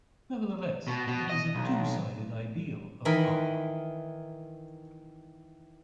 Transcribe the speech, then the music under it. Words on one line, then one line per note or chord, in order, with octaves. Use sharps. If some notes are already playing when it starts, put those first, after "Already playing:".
Nevertheless, it is a two-sided ideal of "R".
B2
B2
D#5
B1
D#3 E3 A#4 B5